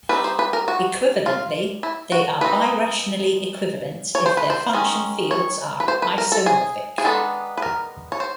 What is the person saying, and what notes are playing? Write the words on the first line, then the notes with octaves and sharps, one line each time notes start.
Equivalently, they are birationally equivalent if their function fields are isomorphic.
G3 C4 D#4 B4
C5
B4
A#4
F#4
F4
E4
F#4
E3 G#3 C4 D#4 B4
C#5
C5
B4
C5
D#3 G#3 C#4
C#5
B4
C5
B4
A#4
A4
G#4
G#4
D#3 G#3 B3 D4 A4
B4
A#4
C#5
C5